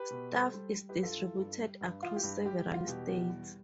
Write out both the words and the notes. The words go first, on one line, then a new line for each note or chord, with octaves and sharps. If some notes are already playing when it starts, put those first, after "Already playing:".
Staff is distributed across several states.
Already playing: G4 B4
B2
G3 A4 C5
G3
G3
G4 B4
G2
F4 A4
E3
G2
G3
G2
E3 F4
G4
G2
G3 G4
G4
E2
F4
B2 G4
E2
G3